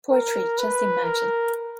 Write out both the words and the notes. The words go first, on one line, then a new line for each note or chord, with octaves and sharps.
Poetry, just imagine!
A#4
B4
A#4